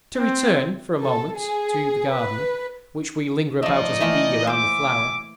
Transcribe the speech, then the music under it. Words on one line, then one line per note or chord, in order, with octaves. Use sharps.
To return, for a moment, to the garden, which we linger about as a bee around a flower.
C4
A4
G#4
B4
F3 A3 D#4 D5 D#5
E3 A3 A#3
C5 E5 G#5 D6